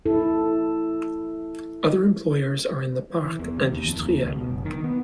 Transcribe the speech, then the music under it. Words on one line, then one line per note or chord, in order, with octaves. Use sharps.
Other employers are in the "Parc Industriel".
E4 A4
E3
E2
C3
D#2
F2
D#2
C#2
B2
F#1
D#3
B3